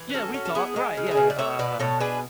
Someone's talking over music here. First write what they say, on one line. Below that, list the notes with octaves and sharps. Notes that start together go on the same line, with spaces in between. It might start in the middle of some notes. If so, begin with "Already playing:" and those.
Yeah. We talked right. Yeah, uh
Already playing: E3
B4
C#4 F#4 A4
C#4
A4
B3 E4 G#4
G#3
C#3
A4
E4 G#4
C#3
D5
A3 C#5 E5
B2 B4 D5
B2 A4 C#5
D4 G#4 B4